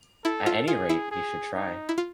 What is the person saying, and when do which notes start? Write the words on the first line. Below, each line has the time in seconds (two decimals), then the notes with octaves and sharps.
At any rate, he should try.
0.25 E4 A4
0.46 F4
0.68 F4 G#4
0.89 E4
1.11 G#4
1.54 D#4
1.89 E4
1.98 F4